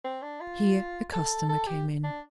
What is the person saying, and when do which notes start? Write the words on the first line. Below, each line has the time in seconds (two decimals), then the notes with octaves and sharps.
Here a customer came in.
0.04 C4
0.22 D4
0.41 F4
1.13 A4
1.49 A4
1.67 G4
2.04 D4